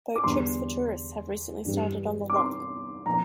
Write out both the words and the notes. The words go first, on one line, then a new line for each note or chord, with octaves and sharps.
Boat trips for tourists have recently started on the loch.
D6
E2 D3 G3 C6
G2 E3 G3
D6
C6
A#2 F3 A#5